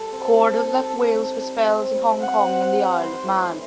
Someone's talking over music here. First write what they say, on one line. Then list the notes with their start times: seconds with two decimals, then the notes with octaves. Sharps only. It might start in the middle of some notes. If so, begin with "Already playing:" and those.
Cordell left Wales for spells in Hong Kong and the Isle of Man.
Already playing: G3 A4
0.12 C4
0.37 G3
0.64 D#4
0.90 C4
1.15 D#4
1.42 G3
1.68 C4
1.94 G3
2.20 C4 F#5
2.46 C4
2.72 D#4
2.98 G3 C5
3.25 A2
3.51 E3